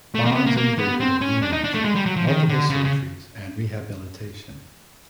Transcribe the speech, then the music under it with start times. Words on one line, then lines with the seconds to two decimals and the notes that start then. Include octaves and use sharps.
Bonds endured a knee injury, multiple surgeries, and rehabilitation.
0.15 A3
0.25 A#3
0.32 C4
0.35 B3
0.46 A#3
0.57 A#3
0.79 B3
1.00 C4
1.21 C#4
1.42 D4
1.53 D#4
1.64 D4
1.74 A3
1.84 G#3
1.95 G3
2.06 F#3
2.17 F3
2.27 D#3
2.49 D3
2.70 C#3
2.85 C#3